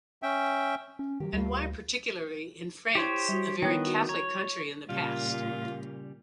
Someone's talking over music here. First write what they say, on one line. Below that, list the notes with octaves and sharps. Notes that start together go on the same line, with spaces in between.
And why particularly in France, a very Catholic country in the past?
C#4 E5 G5
C#4
D#3 F#3 A#3 G4
D2 G3 A#3 F4
E4 G4 C5 C#5
G3 F#4
D#3 B3 E4 C#5 G5
F#4
C#5 A#5
A#2 C#3 G3 F4